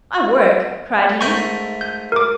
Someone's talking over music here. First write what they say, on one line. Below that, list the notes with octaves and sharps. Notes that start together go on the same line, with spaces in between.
"I work!" cried he.
G#2 A3 A#4 C#6 G6
G6
A#4 D6